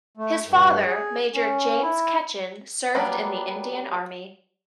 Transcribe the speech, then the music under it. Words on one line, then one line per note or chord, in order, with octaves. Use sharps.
His father, Major James Ketchen, served in the Indian Army.
A3
G2
G#4
C#4
E4
F#3 G3 A#3 B3 D4